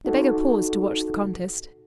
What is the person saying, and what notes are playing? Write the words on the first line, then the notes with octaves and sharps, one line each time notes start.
The beggar paused to watch the contest.
D#4 F#4 A4